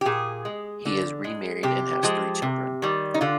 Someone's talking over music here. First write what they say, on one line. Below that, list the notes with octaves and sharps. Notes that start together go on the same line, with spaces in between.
He is re-married and has three children.
G4
A#2 G#4
G#3
D3
G#3
C3 G4
F3 G#3
C3
D#3 G3
D#4
D3 F4